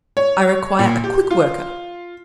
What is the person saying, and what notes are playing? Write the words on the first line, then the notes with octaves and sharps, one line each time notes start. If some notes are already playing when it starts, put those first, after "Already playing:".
I require a quick worker.
C#5
A#2
G4
F4